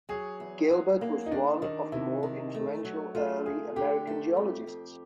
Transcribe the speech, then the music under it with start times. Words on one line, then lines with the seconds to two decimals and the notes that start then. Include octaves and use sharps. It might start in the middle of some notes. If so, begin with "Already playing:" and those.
Gilbert was one of the more influential early American geologists.
0.09 F#3 G#4
0.40 E2
0.71 F#3
1.01 A#3
1.26 D#4
1.31 D#3 D4
1.62 D#3 D#4
1.92 C3 E4
2.23 D#3
2.54 A3
2.85 F#3
3.15 A3 F4
3.46 D2 G#4
3.76 D3 G4
4.07 A3
4.37 F2
4.67 F2